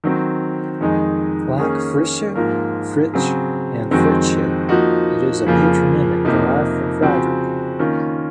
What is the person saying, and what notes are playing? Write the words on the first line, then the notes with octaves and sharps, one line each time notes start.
Like Fritsche, Fritzsch and Fritzsche, it is a patronymic derived from Friedrich.
D#3 F#3 C4
F2 D#3 G#3 D#4
D#3 A#3 C#4 G#4
G#2 F3 A#3 F4 A#4
C#3 F#3 C4
F2 D#3 G#3 C4 F#4
F3 A#3 D#4 F#4
F2 C#3 F3 A#3 F4
F2 C3 F3 A#3 D#4
C#3 F3 C4 F#4
D#3 A#3 C#4 F4